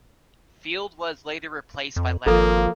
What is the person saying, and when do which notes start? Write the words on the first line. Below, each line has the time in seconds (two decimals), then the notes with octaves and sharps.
Field was later replaced by Leonard.
1.96 F2
2.26 G#1 F3 A#3 A4